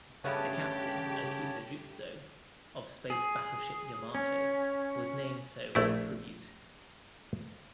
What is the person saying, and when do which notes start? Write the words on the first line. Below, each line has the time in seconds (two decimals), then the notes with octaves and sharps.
The captain, "Okita Juzo" of Space Battleship Yamato was named so as a tribute.
0.24 G2 C#3 A3 B3 G4 C#5 A5
3.10 G#4
4.15 C#4
5.75 A#1 A3 E4